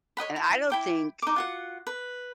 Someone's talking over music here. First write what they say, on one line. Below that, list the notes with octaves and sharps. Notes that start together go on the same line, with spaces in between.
and I don't think
C#5 D#5 F#5 B5
E4
E4 G5 D6
D#4 D6
F4 F#4 F#5
B4